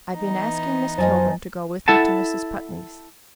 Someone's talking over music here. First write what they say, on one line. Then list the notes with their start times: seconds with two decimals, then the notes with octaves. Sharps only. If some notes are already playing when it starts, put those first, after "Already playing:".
I've been asking Miss Kilburn to go with me to Mrs. Putney's.
0.15 E3 B3 D#4
0.98 F#2 F#3 F4 C5 D#5 G#5 A5
1.88 E4 A4 F#5 A5